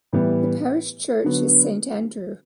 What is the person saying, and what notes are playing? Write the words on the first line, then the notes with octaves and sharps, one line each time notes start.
The parish church is Saint Andrew.
A2 E3 G3 B3
D3 F#3 B3